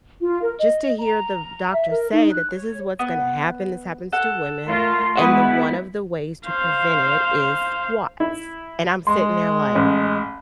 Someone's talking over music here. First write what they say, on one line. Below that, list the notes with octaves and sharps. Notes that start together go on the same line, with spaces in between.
just to hear the doctor say that this is what's gonna happen, this happens to women, and the one of the ways to prevent it is squats. And I'm sitting there, like,
F4
A#4
D#5
A#5
E5
A#4
D#4
F#6
C#5
B3
A4 F#5
A3 F4 A#4
G#3 B3 E4 F#4 G#4 B4
C5 F5
E4
G#3 C6
A1